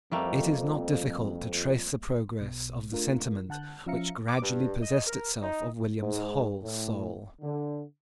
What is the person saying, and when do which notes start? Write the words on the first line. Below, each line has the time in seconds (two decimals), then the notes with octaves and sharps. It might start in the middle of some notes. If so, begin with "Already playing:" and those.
It is not difficult to trace the progress of the sentiment which gradually possessed itself of William's whole soul.
0.12 F2 G3 A3 A#3
2.40 B1 B2
2.92 A3 D4 F4 A#4
3.49 D3 F#5 A5 F#6 G6
3.86 F3 C#4 E5 F5 A#5 C#7
4.28 D6
4.41 G2
4.81 D#5
5.07 A#4
5.41 D#4
6.01 G#2
6.62 A2
7.41 D3